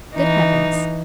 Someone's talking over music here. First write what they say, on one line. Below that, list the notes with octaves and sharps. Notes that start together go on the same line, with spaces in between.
Good heavens!
E3 D#4